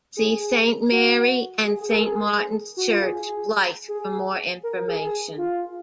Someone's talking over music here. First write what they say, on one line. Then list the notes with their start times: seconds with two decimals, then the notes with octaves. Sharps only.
See Saint Mary and Saint Martin's Church, Blyth for more information.
0.17 G#4
0.91 F#4
1.65 G#4
1.78 G#4
1.90 A#4
2.03 G#4
2.77 F#4
2.89 F4
3.02 G#4
3.88 G#4
4.63 A#4
4.75 A#4
4.88 G#4
5.37 F4